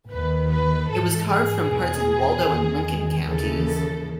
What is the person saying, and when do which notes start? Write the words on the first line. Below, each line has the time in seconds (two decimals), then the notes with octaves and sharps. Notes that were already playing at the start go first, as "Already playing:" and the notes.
It was carved from parts of Waldo and Lincoln counties.
0.11 D#2 D#3 B4
0.51 B4
0.90 G#2 E3 A4
1.29 G#4
1.70 E2 B2
2.48 E2 D#3
3.28 D#2 C#3 E3 A4